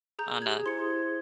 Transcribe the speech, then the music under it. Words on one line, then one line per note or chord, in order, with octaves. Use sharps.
on a
G#4 A#5 G6
G4 G#4 G#6
E4 C5 C6 G#6 C#7